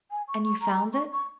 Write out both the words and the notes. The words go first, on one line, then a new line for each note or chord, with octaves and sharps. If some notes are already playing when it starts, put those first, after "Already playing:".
"And you found it?"
G#5
C#6
C#6
A#5
C#6
C#6